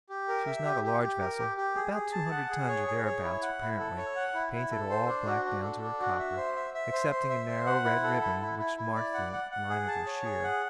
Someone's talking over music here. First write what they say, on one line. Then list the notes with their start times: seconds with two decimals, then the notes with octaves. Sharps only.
She was not a large vessel; about two hundred tons or thereabouts, apparently; painted all black down to her copper, excepting a narrow red ribbon which marked the line of her sheer.
0.09 G4
0.28 A#4
0.47 E5
0.65 G4
0.84 G4
1.02 G4
1.21 A#4
1.39 G4
1.57 G4
1.76 G#4
1.94 G#4
2.12 A5
2.31 F#5
2.50 G#4
2.68 C#5
2.87 G#4
3.06 C#5
3.23 E4
3.42 F#5
3.61 E4
3.79 A4
3.97 C#5
4.16 F#5
4.34 E4
4.53 E4
4.71 A4
4.90 C5
5.08 D4
5.26 F#4
5.45 D4
5.64 A4
5.82 D4
6.00 F#4
6.19 E5
6.37 C5
6.56 E5
6.74 E5
6.92 C5
7.11 C5
7.29 E5
7.48 C5
7.66 F#5
7.85 E4
8.03 A4
8.22 E4
8.40 E4
8.59 E4
8.77 E4
8.95 D5
9.14 F#5
9.32 F#5
9.51 F#5
9.69 G#4
9.88 A5
10.07 C#5
10.25 G#4
10.43 F#5